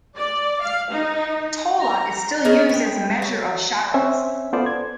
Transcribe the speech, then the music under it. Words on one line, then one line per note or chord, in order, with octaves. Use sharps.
Tola is still used as a measure of charas.
D5
F5
D#4
A#5
C#4 G#4 A#4 D#5
B3 G5
F#3
C4 C#4 E5 G#5
B3 F4 A4 C5 D5
G#6